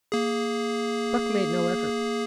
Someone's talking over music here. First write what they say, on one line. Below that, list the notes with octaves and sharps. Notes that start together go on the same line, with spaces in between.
Buck made no effort.
A#3 G#4